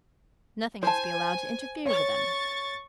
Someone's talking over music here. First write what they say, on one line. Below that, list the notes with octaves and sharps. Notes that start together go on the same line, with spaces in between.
Nothing must be allowed to interfere with them.
C5 G#5 A5
C#5 C#6 A6